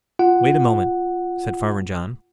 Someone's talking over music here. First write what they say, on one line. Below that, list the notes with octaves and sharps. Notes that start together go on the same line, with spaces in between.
"Wait a moment," said Farmer John.
F4 F#5